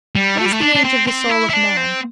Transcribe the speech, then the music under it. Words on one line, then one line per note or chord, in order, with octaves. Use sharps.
What is the age of the soul of man?
G3
A3
G3
A3
D4
D4
C4
C4
E4
E4
D4
C4